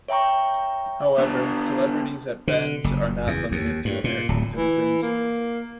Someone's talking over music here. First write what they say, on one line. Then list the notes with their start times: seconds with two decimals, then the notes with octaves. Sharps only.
However, celebrities at Ben's are not limited to American citizens.
0.08 C#5 E5 G5 A#5 C#6
1.18 B3 D4
2.48 D3
2.84 F#1
3.27 E2
3.52 D#2
3.85 G2
4.04 A#2
4.29 D1
4.57 E3
5.03 A#3